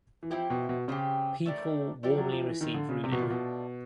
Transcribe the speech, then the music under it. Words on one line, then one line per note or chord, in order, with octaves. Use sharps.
People warmly receive Rudin.
E3
F3 C4 E4 G4
B2
B2
C#3 C4 E4 G4
A3 D4 G4 A#4
F3 A3 D4 G4 A#4
F#3
F3
E3
D#3 A3 D4 F4
D3
C#3
C3
B2
A#2 A3 D4 F4
B2